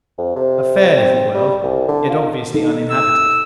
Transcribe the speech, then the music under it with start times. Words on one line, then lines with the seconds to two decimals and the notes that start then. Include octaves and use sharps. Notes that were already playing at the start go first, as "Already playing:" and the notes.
A fair, little world, yet obviously uninhabited.
0.18 F2
0.36 C3
0.96 C4
1.35 G3
1.64 C2
1.88 D3
2.09 F4
2.54 D#4 A4
2.90 E6